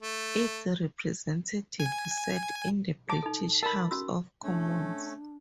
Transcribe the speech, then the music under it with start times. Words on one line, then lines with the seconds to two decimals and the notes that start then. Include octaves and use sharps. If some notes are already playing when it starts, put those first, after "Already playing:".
Its representatives sat in the British House of Commons.
0.02 A3
1.80 G#5
3.10 A5 D6
3.23 D#4 A4
3.63 A#4 A5 B5
3.91 C#4 F#4 E6
4.43 A3 C#4 D4